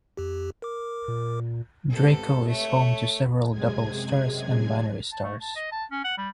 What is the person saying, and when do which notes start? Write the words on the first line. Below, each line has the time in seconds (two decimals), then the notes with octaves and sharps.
Draco is home to several double stars and binary stars.
0.17 F2 G4
0.62 A#4 D6
1.08 A#2
1.91 G#2 C3 B3 A4
2.48 A3 C#5 E5
3.49 F#2 C3 G#3 G#4 G#5 G#6
5.12 A5
5.24 A3
5.41 A5
5.55 D#5
5.72 A5
5.91 C#4
6.04 F#5
6.18 G3